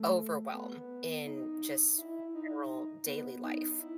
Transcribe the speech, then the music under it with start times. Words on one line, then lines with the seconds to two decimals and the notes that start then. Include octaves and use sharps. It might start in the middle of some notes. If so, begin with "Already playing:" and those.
overwhelm, in, just, general daily life.
Already playing: A3
0.53 B3
1.25 D#4
1.98 E4
2.34 D#4
3.06 B3
3.42 D#4
3.78 E4